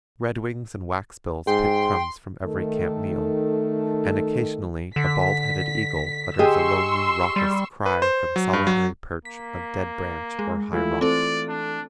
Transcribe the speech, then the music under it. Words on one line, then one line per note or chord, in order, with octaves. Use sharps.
Redwings and waxbills pick crumbs from every camp meal; and occasionally a bald-headed eagle utters a lonely raucous cry from solitary perch of dead branch or high rock.
G#2 G#4 G5 C6
D#3 A3 A4
D3 B6
G4 G#4 D#5 C6 C#6 E6
G3
B4
C5
F#3
G2
F#3
A#3 B6
G#3
E3 A3 E4 F4
C4 A4 D5
D4